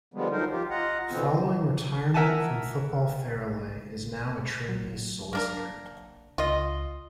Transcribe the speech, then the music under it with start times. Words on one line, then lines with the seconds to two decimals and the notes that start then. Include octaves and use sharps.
Following retirement from football Farrelly is now a trainee solicitor.
0.14 D3 F3 G3 G#3 B3
0.31 F3 F#3 D#4 A#4 C5
0.51 F4 G4
0.70 F4 D#5 F#5 A#5
1.10 B2 D3 E3 B3 C4
2.14 A#4 E5 F#5 G#5 A5
4.69 F#3
5.33 A#3 D4 A#4
6.38 C#2 F4 D#5